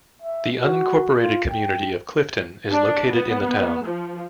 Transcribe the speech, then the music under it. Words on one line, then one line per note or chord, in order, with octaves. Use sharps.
The unincorporated community of Clifton is located in the town.
E5
F#4
F4
G5
D4
B3
F3